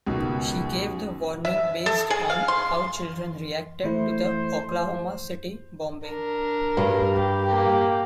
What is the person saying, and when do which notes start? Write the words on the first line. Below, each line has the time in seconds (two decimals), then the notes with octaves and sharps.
She gave the warning based on how children reacted to the Oklahoma City bombing.
0.06 C#2 B2 D#3
1.45 E5
1.86 A4
2.10 G#4
2.30 F5
2.48 C6
3.84 E3 A3 E4 C5
6.05 D4 A#4
6.77 G2
7.14 G4
7.45 A#3 G4